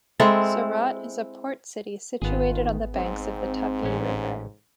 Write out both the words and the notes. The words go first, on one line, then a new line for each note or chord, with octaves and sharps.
Surat is a port city situated on the banks of the Tapi river.
G#3 C4 E4 A4
G#1 D#3 B3 F4 G#4
G#2 C4
A1 C#4